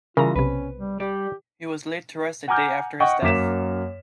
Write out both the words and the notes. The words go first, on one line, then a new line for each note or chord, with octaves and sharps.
He was laid to rest a day after his death.
C#3 E3 G3 F4 A#4 A#5
B1 C3 C#4 B4
G3
G3 G4 D5
F#5 G#5 A#5 D6 F6 G6
D#5 F#5 G5 C#6
F#2 A#3 D6 B6 E7